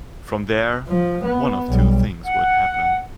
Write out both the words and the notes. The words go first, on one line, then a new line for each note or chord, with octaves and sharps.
From there, one of two things would happen.
F3
B3
B1 G3
F#5